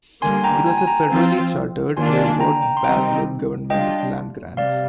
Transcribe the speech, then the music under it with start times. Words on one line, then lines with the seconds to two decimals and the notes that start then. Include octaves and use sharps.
It was a federally chartered railroad, backed with government land grants.
0.22 D3 G3 A#3 G#5 C6
0.44 G5 A#5
0.66 G#5 C6
0.78 G#5
0.87 G5 A#5
1.09 F3 C4 F4
1.96 D#3 A#3 D4 F4 G#5 C6
2.18 G#5 C6
2.40 G5 A#5
2.61 G5 A#5
2.77 C6
2.83 D#3 G3 C4 D#4 G5 A#5
3.70 G3 D4 F4 D#5 G5
4.57 C3 G3 D5 F5